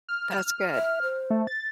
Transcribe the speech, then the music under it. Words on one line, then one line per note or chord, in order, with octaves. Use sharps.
That's good.
F6
E5
C5
A3
A6